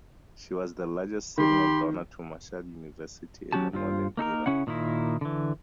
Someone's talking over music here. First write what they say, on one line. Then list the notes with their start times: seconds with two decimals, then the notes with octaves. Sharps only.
She was the largest single donor to Marshall University in the modern era.
1.38 D#3 G4 B5 C6
3.52 F#3 C#4 F#4 G4 A5
3.73 G2 F4 C5
4.17 A#3 D#4 A4 A#4
4.46 C#3 C#4 E4 F#5
4.67 A#2 D#3 A#3 E4
5.21 D3 E3